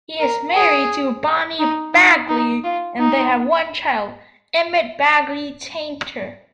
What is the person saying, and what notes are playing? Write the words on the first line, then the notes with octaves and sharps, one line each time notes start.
He is married to Bonnie Bagley and they have one child, Emmet Bagley Tainter.
A#4
G#4
D#4
D#4
D#4
F4
D#4